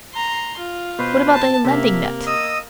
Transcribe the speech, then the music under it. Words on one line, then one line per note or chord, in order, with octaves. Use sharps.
"What about a landing net?"
A#5 C6
F4
B2 B4 C5
A5
C3 A#3 E5
D#5 D#6 E6